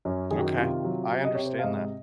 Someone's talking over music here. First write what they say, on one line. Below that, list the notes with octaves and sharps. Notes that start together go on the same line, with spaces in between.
Okay. I understand that.
F#2 C#4
D#3 G#4
F#4
C3 F4
F#3
C3
D#5
C3 C#5
C5
F5
G#2 D#5